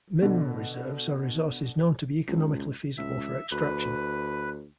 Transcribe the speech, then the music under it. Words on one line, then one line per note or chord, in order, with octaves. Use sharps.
Mineral reserves are resources known to be economically feasible for extraction.
B2 D3
C#2
C#2 E5
D2 B4